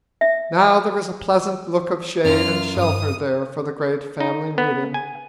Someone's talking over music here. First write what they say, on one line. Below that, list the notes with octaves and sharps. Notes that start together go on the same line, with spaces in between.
Now there was a pleasant look of shade and shelter there for the great family meeting.
E5
F#2 F#3 F4 F6
G2 D#6
D#4
B3
G#5